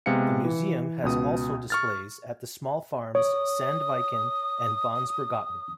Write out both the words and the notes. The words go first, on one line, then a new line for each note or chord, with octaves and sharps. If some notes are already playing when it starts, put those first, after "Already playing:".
The museum has also displays at the small farms Sandviken and Bagnsbergatn.
C3 G#3 B3 F5 C#7
E3
C#2 B2 D#6
C#6 F6 A6
C#5 D#6